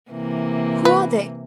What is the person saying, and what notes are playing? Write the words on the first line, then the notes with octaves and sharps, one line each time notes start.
"Who are they?"
C3 E3 A#3
B4